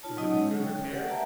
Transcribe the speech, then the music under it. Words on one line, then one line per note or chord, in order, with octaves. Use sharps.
"Is it in good repair?"
D#4 F4 C#5 A5
F#3 C#4 D#4 D#5 F#5 E6
G#3 C#5
C#4 C#5 G5
G4 F#5
B4 D5 E5 F#5 A5 A#5